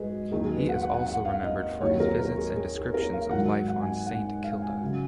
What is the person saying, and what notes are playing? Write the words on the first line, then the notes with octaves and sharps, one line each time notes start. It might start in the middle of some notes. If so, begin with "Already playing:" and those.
He is also remembered for his visits and descriptions of life on St Kilda.
Already playing: G#2 F#4 G#4 B4 D#5
D#2 D#3 F#3 G#4
G#4
B4
F#5
F#5
F#5
F#5
F5
D#5
D#2 D#3 F#3 C#5
A#4
A#4
G#4
G#4
G#4
A#4
F5
G#2 D#3 F#3 F#5
F#5
G#5
F#5
F5
G#5
C#3 F#3